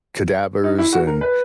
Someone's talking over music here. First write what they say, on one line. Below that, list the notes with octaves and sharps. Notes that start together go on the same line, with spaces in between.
cadavers and
D#4
E4
F#4
A#4
B4